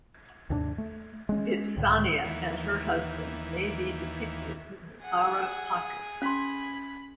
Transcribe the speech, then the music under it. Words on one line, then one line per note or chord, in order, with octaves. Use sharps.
Vipsania and her husband may be depicted in the Ara Pacis.
D#2 G#2 C3 D4
A3
G#3 C#4
C#2 A2 D3 D#3
D#2 E3
G#4 F#5
C#4 B5 C6